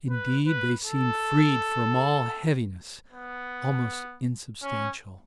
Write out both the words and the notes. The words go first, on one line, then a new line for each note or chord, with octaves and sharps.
Indeed they seem freed from all heaviness, almost insubstantial.
B4
B4
A4
B3
C#4